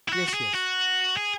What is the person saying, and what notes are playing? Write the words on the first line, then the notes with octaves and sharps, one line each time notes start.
Yes, yes.
E4
F#4
F#4
G#4
F#4
G#4